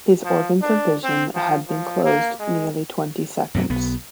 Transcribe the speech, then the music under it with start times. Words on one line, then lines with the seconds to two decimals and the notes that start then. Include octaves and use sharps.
His organs of vision had been closed nearly twenty seconds.
0.24 F3
0.61 D4
1.04 C4
1.34 F3
1.68 F3
2.05 A#3
2.39 G#3
3.55 F#2 B2 D#3 F#3
3.70 B1 B3